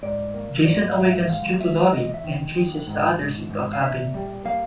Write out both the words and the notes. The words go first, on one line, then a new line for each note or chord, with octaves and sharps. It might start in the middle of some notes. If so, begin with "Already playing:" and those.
Jason awakens due to Lori and chases the others into a cabin.
G#2 D5
A#3
G#2 D5
D#5
G#2 E5
F5
E5
G#3 F5
G#3 E5
E2 D#5
E5
D#3
D#3
G#2
G#2
G#2
F5
A#2 E5
G3
A#3 F5